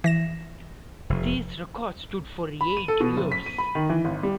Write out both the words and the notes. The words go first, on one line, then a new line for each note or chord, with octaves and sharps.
These records stood for eight years.
E3 A#6 E7
F1
B5
D#7
A4
B2
F#1
B6
D#7
B5
D#3
E3
G#1
G3